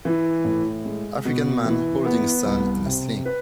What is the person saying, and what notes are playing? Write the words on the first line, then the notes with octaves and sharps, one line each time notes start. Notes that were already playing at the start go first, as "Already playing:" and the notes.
African man holding son in a sling.
E3
A2
G#3
B2
E3
B3
C2
C3
B4